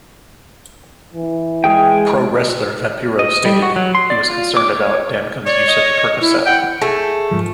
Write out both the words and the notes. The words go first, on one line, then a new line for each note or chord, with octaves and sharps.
Pro wrestler Vampiro stated he was concerned about Duncum's use of percocet.
E3
G#3 G#4 G5
D#5
G3
F#4
F#3
C6
D5
F4
D6
C#5
C#5 D5
D#5
E4
F#5 G5
A3 G#4
G#2 F3